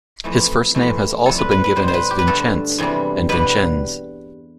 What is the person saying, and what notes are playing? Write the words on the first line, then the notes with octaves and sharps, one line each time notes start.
His first name has also been given as "Vincenc" and "Vincenz".
F2 E3 A3
F2 E3 A3
F2 C3 G3 A4
B4
B4
B4
B2 G3 C5
C5
B4
G4
B4
G2 D3 A3 A4
E2 C3 E3 G3
B2 G3 B4